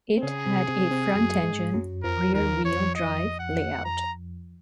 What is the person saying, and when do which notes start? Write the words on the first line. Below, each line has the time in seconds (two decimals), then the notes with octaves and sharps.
It had a front-engine, rear-wheel-drive layout.
0.18 C4
0.23 C#3 C#4 G#4
0.45 C3 C4
0.68 C3 C4
0.91 C3 C4
1.14 F#2 F#3
1.43 G#2 G#3
1.74 F#2 F#3
2.03 F2 F3 A#4
2.27 F3
2.34 D#2 D#3 A#4
2.64 F2 F3 C#5
2.95 D#5
3.39 F#5
3.84 A#5